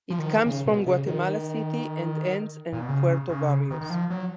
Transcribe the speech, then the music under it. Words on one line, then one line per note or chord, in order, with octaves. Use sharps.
It comes from Guatemala City and ends end Puerto Barrios.
F3
D#3
C#3
B2
C#3
D#3
A#2
B2
C#3
C#3
D#3
D#3
F3
F#3